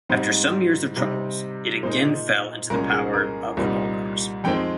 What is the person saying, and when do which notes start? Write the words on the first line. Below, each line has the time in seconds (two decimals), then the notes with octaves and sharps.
After some years of troubles it again fell into the power of the Bulgars.
0.09 G#2 G3 C4 D#4 C5
0.96 C3 G3 C4 D#4
1.83 A#2 G#3 D#4 C5
2.70 C2 A#2 G#3 C#4 A#4
2.92 G#4
3.13 A#4
3.57 C2 A#2 G3 C4 D#4
4.44 F2 D#3 G#3 C4 G5